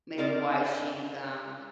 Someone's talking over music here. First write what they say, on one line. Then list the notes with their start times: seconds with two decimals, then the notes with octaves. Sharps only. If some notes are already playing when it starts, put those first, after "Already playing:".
maybe why she, um,
0.18 C4 A#4 D5 D#5